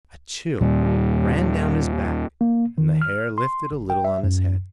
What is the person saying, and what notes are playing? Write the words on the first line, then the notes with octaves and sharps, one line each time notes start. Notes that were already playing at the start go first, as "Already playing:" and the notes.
A chill ran down his back and the hair lifted a little on his head.
D#2 A#2 G3
A#3
D#3
F6
C6
G1
G5
E5
F#2